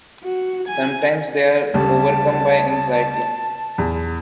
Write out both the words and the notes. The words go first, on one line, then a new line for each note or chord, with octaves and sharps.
Sometimes they are overcome by anxiety.
F#4
G#5
D2 C#3 G3 A5
E2